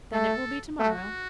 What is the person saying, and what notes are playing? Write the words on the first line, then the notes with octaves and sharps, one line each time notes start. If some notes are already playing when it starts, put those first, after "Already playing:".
"Then it will be to-morrow."
A3 A4
A3 F#4